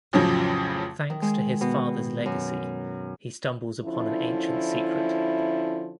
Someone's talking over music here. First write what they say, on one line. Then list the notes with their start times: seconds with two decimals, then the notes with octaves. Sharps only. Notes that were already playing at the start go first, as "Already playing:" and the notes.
Thanks to his father's legacy he stumbles upon an ancient secret.
0.13 A1 F2 C#3 F3 F#3
1.10 D#3
1.22 G#3
1.61 B2
2.26 F#2
3.84 D3 F3 C#4 E4